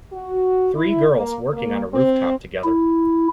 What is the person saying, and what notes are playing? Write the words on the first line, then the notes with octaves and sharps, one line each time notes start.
Three girls working on a rooftop together.
F#4
E4
A#3
A#3
C4
E4